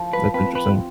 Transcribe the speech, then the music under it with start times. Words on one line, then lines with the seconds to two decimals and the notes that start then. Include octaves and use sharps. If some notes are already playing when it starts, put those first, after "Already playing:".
That's interesting.
Already playing: F3
0.13 B4
0.34 C4 B4
0.55 B4